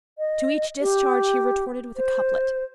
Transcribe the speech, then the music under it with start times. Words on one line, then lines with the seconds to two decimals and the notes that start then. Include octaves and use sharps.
To each discharge he retorted with a couplet.
0.18 D#5
0.81 G4
1.96 C5